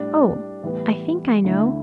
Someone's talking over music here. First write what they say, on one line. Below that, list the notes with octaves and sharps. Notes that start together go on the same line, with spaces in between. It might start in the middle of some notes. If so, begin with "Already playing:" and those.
Oh, I think I know.
Already playing: A2 G3 D4
A2 E3 G3 B3
D2 D3 A3 E4